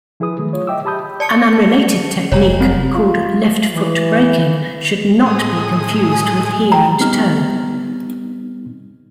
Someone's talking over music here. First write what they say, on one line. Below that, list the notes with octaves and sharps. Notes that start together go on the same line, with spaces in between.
An unrelated technique called left-foot braking should not be confused with heel-and-toe.
F3 E4 G#4 B4 D#6
D#3 F#3 A3
F4 C#5
D#5 E5 G5 D6 E6
G4 A5 B5 D#6 G6
D5 A5 C#7
F1 C#5 A#5
C4
F4
E3
A2 G#3 D#6
G#5
G5 A#5
G3 B3 C4 D#4 F6